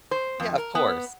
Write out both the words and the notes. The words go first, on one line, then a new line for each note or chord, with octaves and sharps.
Yeah, of course.
C5
F2
A#4
B3